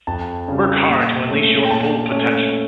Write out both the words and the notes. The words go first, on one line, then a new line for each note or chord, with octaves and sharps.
Work hard to unleash your full potential.
F2 A5
C#3 G3
A#2
A3 C#4
G5
A#2 A5
A3 C#4